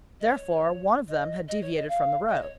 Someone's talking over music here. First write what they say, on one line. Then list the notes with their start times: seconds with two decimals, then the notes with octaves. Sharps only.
Therefore, one of them had deviated from the road.
0.20 D#5
0.29 C#5
1.08 D#5
1.48 D#5
1.61 C#5
1.75 D#5
1.88 F5
2.28 D#5
2.40 C#5